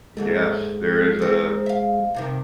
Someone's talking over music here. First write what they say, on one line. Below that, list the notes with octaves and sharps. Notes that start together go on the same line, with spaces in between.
yes, there is a
D#2 G#2 G#3 A3
D#3 C4
E5 F5
G2 C3 D#3